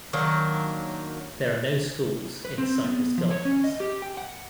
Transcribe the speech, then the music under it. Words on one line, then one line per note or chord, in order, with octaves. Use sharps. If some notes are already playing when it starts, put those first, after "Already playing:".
There are no schools in Cypress Gardens.
D#3 F#3 A#3 D4
B4
C4
B3
F3
C#5
C#4
D#5
G4
G5
F#5